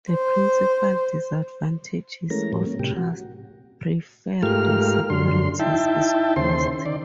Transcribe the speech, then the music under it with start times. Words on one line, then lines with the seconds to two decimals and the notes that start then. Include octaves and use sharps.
The principal disadvantages of trust preferred securities is cost.
0.11 C5
2.30 E3 G#3 A3 C#4 A#4 A#5
2.53 A2 F#3 G3
2.65 A#3 C#4
2.79 A2 C3 G4
2.97 F#4
4.43 G#2 A3 F4 G4 A#4 F6
5.10 F#2 D3 C6
5.59 D#4 E4 E5 G5 A5
6.36 D#2 C#3 C5 C6
6.86 D#3 D5